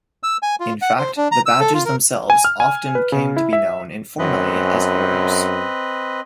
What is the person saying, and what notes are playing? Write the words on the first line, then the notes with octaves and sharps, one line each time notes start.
In fact, the badges themselves often came to be known informally as "orders".
E6
G#5
F4
F#5
C5
D4
A#5
E6
A4
F4
A#4
G#5
F6
G#5
B4
C#3
E4
E5
F#2 C4 B4 D#5